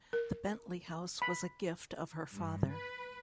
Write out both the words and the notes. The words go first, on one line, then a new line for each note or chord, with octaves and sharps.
The Bentley house was a gift of her father.
A#4
B5
G2
B4